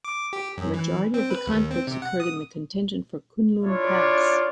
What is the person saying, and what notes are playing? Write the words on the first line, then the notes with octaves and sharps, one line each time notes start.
A majority of the conflicts occurred in the contention for Kunlun Pass.
D6
G4
F#2
E3
C4
B4
D#2
C4
C3
F#5
D#6
D4 E4 F4 C#5 D5